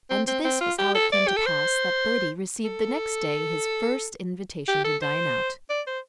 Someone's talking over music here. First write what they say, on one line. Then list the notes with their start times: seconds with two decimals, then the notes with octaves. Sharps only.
And this was how it came to pass that Bertie received the next day his first invitation to dine out.
0.10 C4
0.27 C4
0.44 C4
0.61 F4
0.78 G4
0.95 A4
1.12 D5
1.27 G4
1.36 A4
1.46 C5
2.65 A4
4.68 G4
4.84 A4
5.02 C5
5.70 D5
5.87 C5